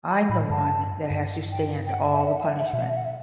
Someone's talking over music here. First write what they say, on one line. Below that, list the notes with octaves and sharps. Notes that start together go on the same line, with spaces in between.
I'm the one that has to stand all the punishment.
B5
A2 B5
G2 A5
G2
G5
G5
F#5
E5
F#5
E5
F#5
E5
F#5
E5
F#5
B2 E5
F#5
E5
F#5
E5